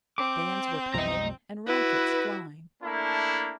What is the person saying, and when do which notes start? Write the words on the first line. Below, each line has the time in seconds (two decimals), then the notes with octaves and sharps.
Bands were playing and rockets flying.
0.18 C4 D6 G6
0.94 B1 F2 G3 D#5 A#5
1.67 E4 F#4 B4
2.83 A3 A#3 D4 E4